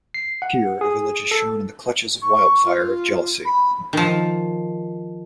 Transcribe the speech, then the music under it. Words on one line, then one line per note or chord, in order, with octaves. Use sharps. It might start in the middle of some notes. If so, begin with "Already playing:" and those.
Here a village is shown in the clutches of wildfire of jealousy.
C7
F#5
G#4
A4
C#6
F4
B5
D#3 F3